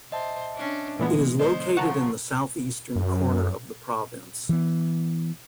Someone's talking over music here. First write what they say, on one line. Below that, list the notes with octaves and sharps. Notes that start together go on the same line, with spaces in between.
It is located in the southeastern corner of the province.
C5 D#5 E5 A5
C#4 D4
A#2 E3 G#3 B3
C#3 G#3 C5 D#5
C#3 F3 F4 F#5 A5 A#5 C#6
F#2
E3 B3